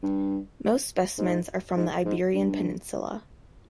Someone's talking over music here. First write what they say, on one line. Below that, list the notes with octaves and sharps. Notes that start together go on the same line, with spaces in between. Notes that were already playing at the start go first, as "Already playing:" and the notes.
Most specimens are from the Iberian Peninsula.
G2
G#2
G#2
G#2
G2